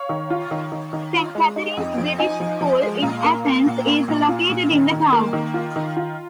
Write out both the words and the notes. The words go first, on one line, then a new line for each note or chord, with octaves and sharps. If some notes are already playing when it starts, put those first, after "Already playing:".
St.Catherine's British School in Athens is located in the town.
Already playing: C#5 F5
D#3
F4
D#3
D#3
D#3
F4
G#3
D#4
F2
F3
D#4 D#5 G#5
F3
F3
G#3
A#2 F5 A#5
A#3
A#3
A#2
A#3
A#2
F4
A#2
D#3
D#3
A#3
D#3
F4
D#3
F4